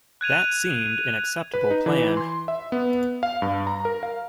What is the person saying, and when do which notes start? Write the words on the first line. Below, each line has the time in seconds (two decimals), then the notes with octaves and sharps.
That seemed an acceptable plan.
0.21 F#6 G#6 D#7 F7
1.54 B4
1.71 D#4
1.86 E3
2.17 C6
2.48 E5
2.72 B3
3.23 F5
3.42 G2
3.67 A#5
3.85 A#4
4.03 F5